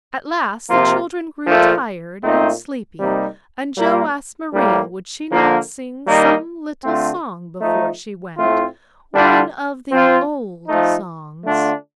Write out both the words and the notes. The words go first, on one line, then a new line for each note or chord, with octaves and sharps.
At last the children grew tired and sleepy and Joe asked Maria would she not sing some little song before she went, one of the old songs.
C3 F3 A#3 F4
A#2 F3 A3
A#2 A3 C4 D#4
C3 G3 A#3 D#4
A#2 G3 A#3
A2 G3 A#3
D3 F3 A#3
D#3 G3 A#3 D#4
D3 A3 C4 F4
F3 A3 D#4
A2 A3 C4 F4
D3 G3 D4 F4
F3 C4 F4
F3 A3 D#4
D3 A3 D4 F4